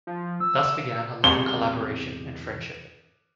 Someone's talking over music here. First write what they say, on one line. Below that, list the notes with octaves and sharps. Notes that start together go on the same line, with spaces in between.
Thus began a long collaboration and friendship.
F3
E6
E2 C3 G#3 G7